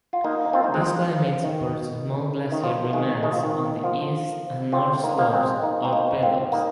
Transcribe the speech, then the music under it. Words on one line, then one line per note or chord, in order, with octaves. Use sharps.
This climate supports small glacier remnants on the east and north slopes of Pelops.
F4
A#3 D#4
C4 F4
A#3 D#4
G#3 C4
F3
D#3
D#3
F3
D#3 G#3
D#3 G#3
F3
D#3
F3
C4 F4
A#3 D#4
F3 A#3
G#3 C4
A#3 D#4
C4
A#3 D#4
C4 F4
A#3 D#4